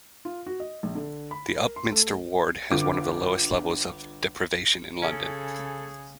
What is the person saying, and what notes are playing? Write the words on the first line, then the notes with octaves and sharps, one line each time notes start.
The Upminster ward has one of the lowest levels of deprivation in London.
F4
F#4
D#5
A#1
D3
B5
A#4
C6
A3
G1 D3 F4 D6
C#3 C#4 G#4 A4